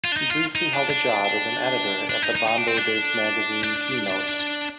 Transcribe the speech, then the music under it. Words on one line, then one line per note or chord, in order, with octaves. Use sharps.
She briefly held a job as an editor at the Bombay-based magazine Key Notes.
F4
D4
D#4
F4
D#4
D4
D4
D4
D#4
D#4
D#4
D4
C4
D4
D4